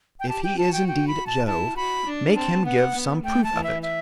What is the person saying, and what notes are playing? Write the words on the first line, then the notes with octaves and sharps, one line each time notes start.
If he is indeed Jove, make him give some proof of it.
G5
G4 A5
G5
F#4 A5
G5
G5
B5
A5
E4 A5
F#4 B5
D4
C4 A5
B3 F#5
B3
A3 G5
A5
E3
E5
E5